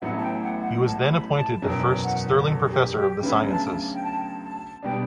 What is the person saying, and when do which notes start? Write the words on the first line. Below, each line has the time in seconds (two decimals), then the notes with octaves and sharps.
He was then appointed the first Sterling Professor of the Sciences.
0.02 A1 A2 F#3 B3 E4 F#5
0.17 A5
0.22 G5
0.42 F#5
0.63 F#5
0.83 A5
1.08 B5
1.35 A5
1.62 F#1 E2 B2 F#3 G5
2.03 F#5
2.42 A4
2.69 G4
2.96 G4
3.23 D2 C#3 F#3 B3 B4
3.49 A5
3.93 G5
4.03 A5
4.43 A5
4.83 B2 G3 B3 D4 G5